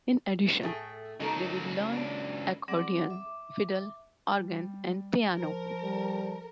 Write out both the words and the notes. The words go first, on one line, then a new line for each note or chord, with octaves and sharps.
In addition, David learned accordion, fiddle, organ, and piano.
A2 A3 G#4
C#2 F#3 D#4 A4 A#4
D4
F#3 C4 G#4 D5 F#5 D6
E5 D6
G3
F3 A#4
G3